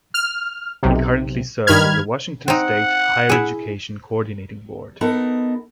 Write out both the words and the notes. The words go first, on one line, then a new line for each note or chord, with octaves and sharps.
He currently serves on the Washington State Higher Education Coordinating Board.
F6
B1 C3
G2 D#3 B5 F6 G#6
C4 D#4 F#5
E4 G#4
B3 D#4 A4 A#4